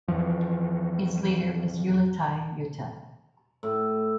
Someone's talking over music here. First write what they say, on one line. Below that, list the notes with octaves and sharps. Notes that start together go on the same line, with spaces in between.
Its leader is Uliti Uata.
F2 C#3 E3 F3
A2